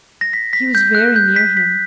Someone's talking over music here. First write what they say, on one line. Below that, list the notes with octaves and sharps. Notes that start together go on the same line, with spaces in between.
He was very near him.
A#6
B6
B6
G6
F#6
G6
B6
B6